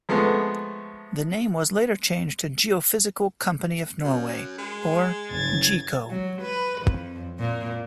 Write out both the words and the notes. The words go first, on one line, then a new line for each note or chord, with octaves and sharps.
The name was later changed to Geophysical Company of Norway or Geco.
F3 G#3 A3 B3
F#2
G#3
F#1 G#6 A6
F#3
B4
F2
A#2